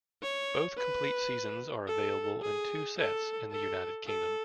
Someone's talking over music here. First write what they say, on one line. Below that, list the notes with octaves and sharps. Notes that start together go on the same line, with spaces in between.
Both complete seasons are available in two sets in the United Kingdom.
C#5
B4
A4
G#4
A4
A4
A4